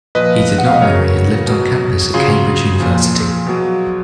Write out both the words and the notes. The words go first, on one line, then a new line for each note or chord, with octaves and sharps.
He did not marry and lived on campus at Cambridge University.
A#2 F3 B4 D#5
F#5
F5
D#5
C#3 F#3 A#4 C#5
B2 F#3
C#3 F#3 F4 G#4
A#2 F3
B2 F#3